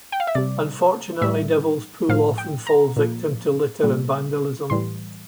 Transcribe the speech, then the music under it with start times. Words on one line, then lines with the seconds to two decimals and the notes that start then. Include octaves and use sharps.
Unfortunately, Devil's pool often falls victim to litter and vandalism.
0.12 G5
0.20 F5
0.27 E5
0.35 C3 G3 D5
1.22 A2 E3 G3 E5
2.09 A2 F3 F5
2.38 G5
2.67 A#5
2.96 A#2 F3
3.83 A#2 G3
4.70 A2 E3 G3 C6